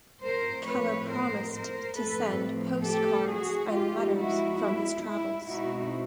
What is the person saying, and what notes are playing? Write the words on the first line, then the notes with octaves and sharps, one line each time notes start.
Kellar promised to send postcards and letters from his travels.
A2 F3 A3 C4 A#4 C5
B4 C#5
A#4 C5
A#4 C5
A2 F3 A3 C4 A4 B4
G4 A4
F#4 G#4
F3 G#3 B3 D#4 F4 G4
E4 F#4
E4
E4
B2 G#3 C4 D#4 E4 F#4